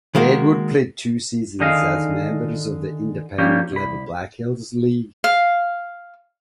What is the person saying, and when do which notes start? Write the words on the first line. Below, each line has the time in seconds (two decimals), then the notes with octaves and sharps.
Deadwood played two seasons as members of the Independent level Black Hills League.
0.15 D#3 G#3 A#3 F#4
1.60 D3 D#3 D#4 G#4 D#5 F5
3.38 F3 G3 A#3 C#4 G4
3.72 C2 B5
5.24 F5